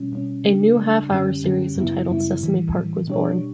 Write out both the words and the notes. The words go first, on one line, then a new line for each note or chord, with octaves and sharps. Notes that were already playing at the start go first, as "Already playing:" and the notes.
A new half-hour series entitled "Sesame Park" was born.
Already playing: B2 G3 C#4
B2 G3 C#4
C#3 G3 D4
C#3 G3 D4
F#2 D3 G3 C#4 G4
F#2 D3 G3 C#4 G4
F#2 C#3 G3 B3 E4
F#2 C#3 G3 B3 E4
A2 E3 G3
A2 E3 G3
B2 G3 D4 G4 C#5